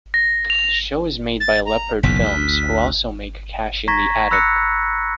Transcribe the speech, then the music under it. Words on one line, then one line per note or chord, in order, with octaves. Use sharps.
The show is made by Leopard Films, who also make "Cash in the Attic".
A#6
F7
A6
A#5
F#1 B1 E2 B6
D2
A#5 C#6 G#6 A#6 B6
B5 E6 F#6 A#6 C#7